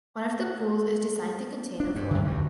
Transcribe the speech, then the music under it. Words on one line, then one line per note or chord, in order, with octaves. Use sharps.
One of the pools is designed to contain of water.
D4
G2
F#2 D3
D2 G2